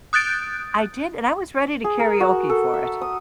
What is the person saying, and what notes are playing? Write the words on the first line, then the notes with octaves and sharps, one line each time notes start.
I did, and I was ready to karaoke for it.
D#6 F#6 G6 A6 D7
G#4
A#4
F#4
A4
E5
D#6